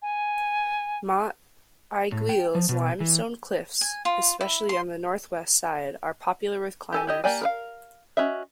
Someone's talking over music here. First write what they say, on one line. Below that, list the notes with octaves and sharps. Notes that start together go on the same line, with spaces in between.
Mont Aiguille's limestone cliffs, especially on the northwest side, are popular with climbers.
G#5
A2
G5
F3
B2
E3
G#5
F4
E4
C6
G4 A4 G#5
E4 G4 D#5
A#3 G4 D5 G5 G#5
A#4 B4 F5
C#4 F#4 D#5 E5